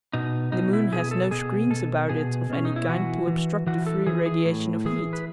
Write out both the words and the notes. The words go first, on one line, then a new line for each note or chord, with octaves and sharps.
The moon has no screens about it of any kind to obstruct the free radiation of heat.
B2 D#4
B2 D#4
E4
B2 G#4
A4
B2 G#4
B2 A4
B2 G#4
B2 C#4
D#4
E4
E3 F#4
E3
E3 F#4
A4
E3 G#4
G#4
A2
E3 G#4
B4